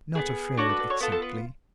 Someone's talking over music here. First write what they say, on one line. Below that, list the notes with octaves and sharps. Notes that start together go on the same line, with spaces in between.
"Not afraid, exactly."
B3 D4 G#4
D4 F#4 A4 C#5
B4
B4
C#5
B3 F4 A4 B4
A4
B4